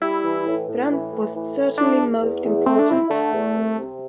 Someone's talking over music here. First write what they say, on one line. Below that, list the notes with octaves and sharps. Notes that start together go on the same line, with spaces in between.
Brandt was certainly most important.
G3 E4
E3
A2
A2
E3
A2
E3
A2
D4 E4
E2
E2
E2
A3 C4
D4
C4 E4
D3 A3
E2
C2
C3